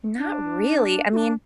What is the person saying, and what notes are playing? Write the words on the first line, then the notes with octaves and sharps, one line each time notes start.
Not really, I mean
D4
F#4
D4